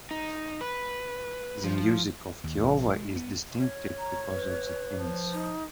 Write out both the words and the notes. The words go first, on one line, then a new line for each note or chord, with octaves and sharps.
The music of Kiowa is distinctive because of the hymns.
D#4
B4
F3
D#2
A#1
G#3
B3
C#5
A#5
B4
F3
D#4